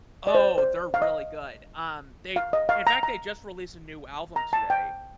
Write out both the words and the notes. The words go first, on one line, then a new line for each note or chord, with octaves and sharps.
Oh, they're really good. Um, they in fact, they just released a new album today.
D5
C5
C5
F5
D#5
F5
D#5
F5
A#5
A#5
A#5
A5
G5